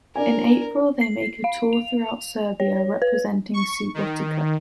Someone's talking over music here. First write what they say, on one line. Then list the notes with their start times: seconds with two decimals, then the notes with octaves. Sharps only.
In April they make a tour throughout Serbia representing Subotica.
0.16 D4 A#4 D5 G#5
1.01 C7
1.44 F5
1.73 F7
2.60 C#5
3.02 B4
3.54 C#6
3.94 D#3